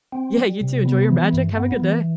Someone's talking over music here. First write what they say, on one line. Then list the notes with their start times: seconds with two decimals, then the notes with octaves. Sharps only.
Yeah, you too, enjoy your magic, have a good day.
0.12 C4
0.37 G3
0.61 C3
0.85 B3
1.09 E3
1.33 G2
1.57 B3
1.80 E3